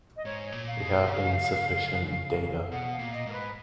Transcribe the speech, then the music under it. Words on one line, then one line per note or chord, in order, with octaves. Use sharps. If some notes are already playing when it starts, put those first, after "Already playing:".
We have insufficient data.
D#5
G#2 C#5
A#2
F5
B2
C#3
B2 F#5
F5
A#2
D#5
G#2 A#4
B4